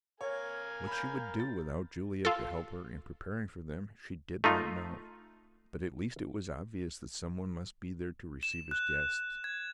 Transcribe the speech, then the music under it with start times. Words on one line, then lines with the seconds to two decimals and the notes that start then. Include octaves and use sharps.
What she would do without Juliet to help her in preparing for them, she did not know, but at least it was obvious that some one must be there to receive his guests.
0.21 A#4 C#5 F5 G#5
0.87 B5 G6
1.40 A6
2.25 F4 A4
4.44 A3 D#4 F4
8.43 E7
8.71 F#6
9.44 G#6